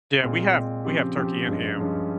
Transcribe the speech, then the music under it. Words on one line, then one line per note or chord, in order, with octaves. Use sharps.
Yeah. We have we have turkey and ham.
A#2 G#3 C4
A#2 G#3 C4
C#3 F3 C4 G4
C#3 F3 C4 G4
G2 F3 G#3 C#4
G2 F3 G#3 C#4